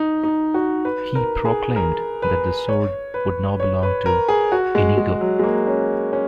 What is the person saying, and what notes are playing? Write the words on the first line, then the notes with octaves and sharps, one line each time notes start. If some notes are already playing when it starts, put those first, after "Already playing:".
He proclaimed that the sword would now belong to Inigo.
Already playing: D#4
D#4
F#4
B4
A#4
G#4
A#4
B4
C#5
B4
C#5
B4
A#4
G#4
F#4
G#3
G#3
F#3
G#3
A#3
C#4
C#4